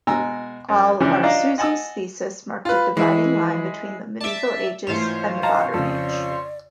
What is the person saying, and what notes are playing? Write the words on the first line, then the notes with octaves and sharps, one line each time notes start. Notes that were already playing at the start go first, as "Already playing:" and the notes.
Al-Arsuzi's thesis marked a dividing line between the Medieval Ages and the Modern Age.
B2 G#3 G#5 A#5 E6
F#2
C#3 E3 F3 G3 C#4 D4
D4 D#4 F4 D5 F5 A#5
D#5 F#5 G#5 A5 D#6 E6
F4 B4
E3 G#3 E4 G#4
D5 E5 A5 D7
G#2 E3 A3 F4 C5 C#5
D#5 F5 A5 A#5
F2 C#3 A4 D5